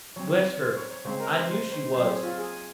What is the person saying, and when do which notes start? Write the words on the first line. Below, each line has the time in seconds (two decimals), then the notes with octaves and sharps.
Bless her, I knew she was!
0.16 F#3 C4 C#5
0.61 C5
0.76 C#5
0.90 C#5
1.05 C#3 G#3 C4 C5
1.20 A#4
1.35 C5
1.50 C5
1.72 C5
1.93 F#3 C4 C5
2.09 G#4
2.23 F4
2.38 G#4